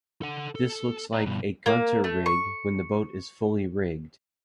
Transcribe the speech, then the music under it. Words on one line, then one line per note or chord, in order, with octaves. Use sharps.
This looks like a gunter rig when the boat is fully rigged.
A4 F#5
A4
D5 A#5
G2 B2
A#3
A3
C#6